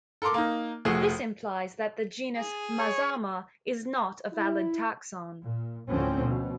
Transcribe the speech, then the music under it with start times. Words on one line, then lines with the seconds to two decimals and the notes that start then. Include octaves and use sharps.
This implies that the genus "Mazama" is not a valid taxon.
0.22 A4 A#4 A#5 C6 D6
0.34 A#3 D#4
0.85 F1 F2 A3 F#4 G#4
2.37 G#4
2.79 C#5
4.33 E4
5.41 A#2
5.88 D2 A2 D3 F3 C4 C#4
6.22 B2